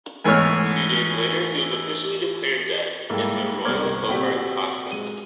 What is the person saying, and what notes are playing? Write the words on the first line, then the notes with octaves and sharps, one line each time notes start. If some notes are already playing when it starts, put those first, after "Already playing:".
Two days later he was officially declared dead in the Royal Hobart Hospital.
G#2 E3 A3 B3 C#5 F6
G#2 G3 A#3 E4 A4
G1 C2 D6 F6 G#6
A#1 C4 F#4 G4 G#5 B6
G#3 D#7